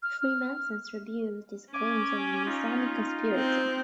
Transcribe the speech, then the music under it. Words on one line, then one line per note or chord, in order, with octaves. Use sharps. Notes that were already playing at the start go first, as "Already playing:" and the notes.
Freemasons rebut these claims of a Masonic conspiracy.
F6
F6
C#4 G#5 D6
D#4 F4
C4